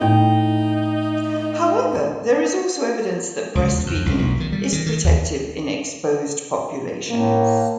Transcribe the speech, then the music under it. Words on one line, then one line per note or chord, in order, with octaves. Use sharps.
However, there is also evidence that breastfeeding is protective in exposed populations.
A2 D#4 E4 G5
C#2
E2
F2
C2
B1
D#3
G3
D#3
D#3
D#2
A2 A#3